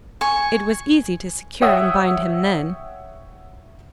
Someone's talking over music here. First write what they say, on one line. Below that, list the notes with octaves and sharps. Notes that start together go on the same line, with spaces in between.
It was easy to secure and bind him then.
G#5 C#6
C#5 E5 F#5 G5 D#6 E6